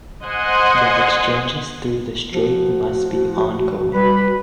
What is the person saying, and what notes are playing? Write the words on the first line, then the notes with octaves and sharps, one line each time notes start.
The exchanges through the Strait must be ongoing.
C5 D#5 F#5 G#5 C6
F3 F#4
G3 B4 B5